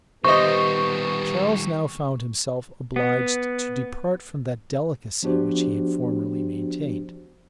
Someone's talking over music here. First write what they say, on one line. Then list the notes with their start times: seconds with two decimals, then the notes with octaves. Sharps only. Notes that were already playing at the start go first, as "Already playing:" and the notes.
Charles now found himself obliged to depart from that delicacy which he had formerly maintained.
0.24 D#3 G3 B3 G4 C5 D#5 C#6
2.96 B3
5.23 F3 B3 D4 F#4 G4 C5